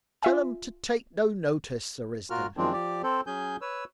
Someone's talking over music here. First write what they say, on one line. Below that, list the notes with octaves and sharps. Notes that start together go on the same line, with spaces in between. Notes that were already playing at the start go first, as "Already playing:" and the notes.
Tell 'em to take no notice, Sir Risdon.
F4 E5 G#5
A#2 F4 F#4 A#4 F6
F#2 D#3 F3 G#3 C4 D4
F3 G4 D5
C4 A4 C5
F#3 C#4 G#4 G#5 G6
B4 C#5 E6